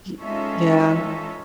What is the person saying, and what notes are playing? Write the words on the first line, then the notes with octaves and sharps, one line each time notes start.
Y yeah.
G#3 C#4 D#4 F4 A4 E5